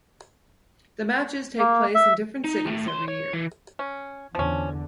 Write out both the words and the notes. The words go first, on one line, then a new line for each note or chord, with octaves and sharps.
The matches take place in different cities every year.
A#3
E5
D#4
A2 A3
C#5 C6
C#5
E3
C#4
E2 D3 F3 C#4